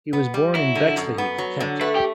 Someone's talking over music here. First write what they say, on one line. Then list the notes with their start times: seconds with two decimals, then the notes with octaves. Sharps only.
He was born in Bexleyheath, Kent.
0.13 B3
0.34 G3
0.55 F#3 E4
0.75 D3
0.97 F#2
1.18 B3
1.38 F#3
1.60 D3
1.81 A3 B4
1.96 G4